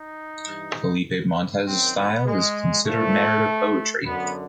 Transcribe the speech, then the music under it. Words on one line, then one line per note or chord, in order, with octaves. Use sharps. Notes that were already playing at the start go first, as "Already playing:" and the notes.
Felipe Montes’ style is considered narrative poetry.
Already playing: D#4
G2 E3
F#2 D#3 F#3 C4
B3
G#3
A#2 F3 A3
F#2 D3 F#3 B3